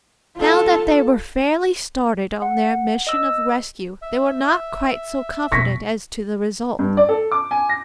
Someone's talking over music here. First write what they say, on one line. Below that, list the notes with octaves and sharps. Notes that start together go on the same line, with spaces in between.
Now that they were fairly started on their mission of rescue, they were not quite so confident as to the result.
F4 A4
F#5
D#5 E6
E5
F2 B2 C#6 A#6 B6
G2
D5
A4
D6
G#5
A#6